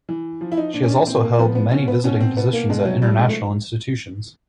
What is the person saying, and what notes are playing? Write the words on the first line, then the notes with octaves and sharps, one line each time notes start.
She has also held many visiting positions at international institutions.
E3
F3
E4
D#4
A#2 D4
C#4
D4
A#2 C4
A#3
F3 B3
B3
B2 C#4
B3
B2 C#4
C4
B2 B3
A#3
B2 G#3
F#3
F3 G3
G#3
A3